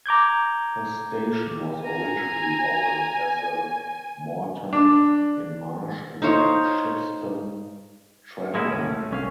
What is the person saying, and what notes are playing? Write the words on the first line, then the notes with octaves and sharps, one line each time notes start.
The station was originally opened as the Moreton in Marsh and Shipston Tramway.
A#5 D6 G6 G#6
G#5 A#5
D4
D#4 C5 C#5 F5
A2 G#3 A#3 B3 E4
D#2 A2 C#4
A3
C2 C#4 F5